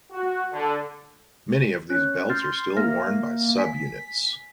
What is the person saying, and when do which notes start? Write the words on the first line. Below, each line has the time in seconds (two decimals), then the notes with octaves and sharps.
Many of these belts are still worn by sub-units.
0.11 F#4
0.53 D3
1.90 C#4 F#6
2.30 C6 F6 G6 A6
2.76 A#3 E5 F6 A#6
3.58 G#5 B6